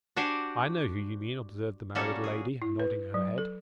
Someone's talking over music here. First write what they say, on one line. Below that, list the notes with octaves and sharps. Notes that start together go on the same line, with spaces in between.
I know who you mean,' observed the married lady, nodding her head.
D4 F#4 G4 C5 D5 G#5
A#2 G3 A#3 C#4 F#4 A4
G#4
E4
B4
F#3
A4